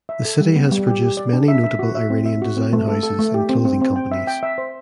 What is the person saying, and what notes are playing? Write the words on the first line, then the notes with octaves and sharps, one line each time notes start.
The city has produced many notable Iranian design houses and clothing companies.
E5
A4
G3
B3
G3
G4
G4
D5
D4
E5
E5
F#4
E5
C4
E5
F#4
C4
A3
A4
A4
A3
G4
C4
C4
C4
G5
E5
G5
E5
C5